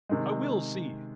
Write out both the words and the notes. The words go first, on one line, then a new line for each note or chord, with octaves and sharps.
I will see!
C3 D#3 G#3